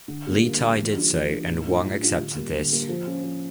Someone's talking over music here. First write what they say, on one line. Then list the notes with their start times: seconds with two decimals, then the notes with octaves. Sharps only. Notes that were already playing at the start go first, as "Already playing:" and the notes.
Li Tai did so, and Wang accepted this.
0.08 D3
0.27 G3 A#3
0.44 D3
0.61 G3 A#3
0.78 E3
0.97 G3 D4 F4
1.14 E3
1.31 G3 D4 F4
1.48 A2
1.66 G3 D4 F4
1.83 A2
2.02 G3 D4 F4
2.18 D3
2.36 G3 A#3
2.54 D3
2.72 G3 A#3
2.89 F3
3.07 C#4 F4
3.24 F3